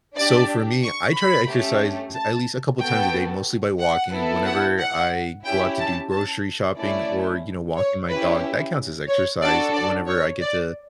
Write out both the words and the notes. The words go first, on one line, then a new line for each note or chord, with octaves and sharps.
So for me, I try to exercise at least a couple times a day, mostly by walking. Whenever I go out to do grocery shopping or, you know, walking my dog, that counts as exercise. Whenever I get to
D4 G4 D5
C#6
B5
A3 C#4 G4
A5
B3 F#4 A4 G5
F#5
B3 E4 A4
F#5
F#5
C#4 E4 G4 G5
A5
A5
A3 C#4 E4 D5
C#5
C#4 E4 G4 B4
C#5
D4 F#4 A4 D5
D5
C#5
D5